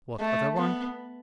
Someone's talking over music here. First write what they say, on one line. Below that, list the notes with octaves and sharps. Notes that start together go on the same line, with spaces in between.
"What other one?"
A3
B3